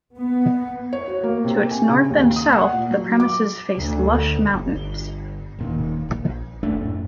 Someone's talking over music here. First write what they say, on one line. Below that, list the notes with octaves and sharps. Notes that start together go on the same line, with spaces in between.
To its north and south, the premises face lush mountains.
B3
C#5
F#4
A#3
C3
G#5
C#3
D#2
D#6
F#5
A#2
F#3
D6
D2
G1
D#1 A#2 D#3
A#1
F#1 A3 D4
F#2 A2